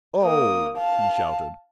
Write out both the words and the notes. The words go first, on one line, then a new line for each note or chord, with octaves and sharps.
"Oh!" he shouted.
A#3 D#6
F5 A5